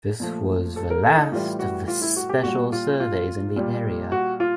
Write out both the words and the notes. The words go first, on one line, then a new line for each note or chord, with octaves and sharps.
This was the last of the special surveys in the area.
A#2 F3 A3
A4
A#4
A4
D#4
A2 E3 G3 F4
F#4
F4
E4
F#4
G4
A#2 G3 F#4
F4
F4
A#2 G3
F#4
F4